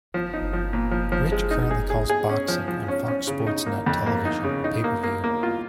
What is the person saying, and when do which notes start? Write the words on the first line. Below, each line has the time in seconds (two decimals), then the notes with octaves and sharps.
Rich currently calls boxing on Fox Sports Net television, pay per view.
0.14 F3
0.34 D#4
0.53 F3
0.73 A#2
0.91 F3
1.12 F3
1.32 G#3
1.51 D#4
1.71 G#4
1.90 G#4
2.10 G#4
2.29 C#4
2.48 F3
2.68 F3
2.88 C#4
3.08 C#4
3.27 C#3
3.47 D#4
3.66 A#3
3.86 F2
4.06 A#3
4.25 D#4
4.44 C#3
4.64 D#4
4.84 A#3
5.03 A#3
5.24 A#3
5.43 F4